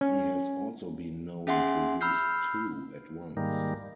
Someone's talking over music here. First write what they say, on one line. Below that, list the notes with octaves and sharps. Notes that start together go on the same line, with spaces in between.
He has also been known to use two at once.
C#4
C#4 G#4 E5 F#5 G#5 C6
B5 E6 F6 G6 C7
G#2 D#3 G3 A#3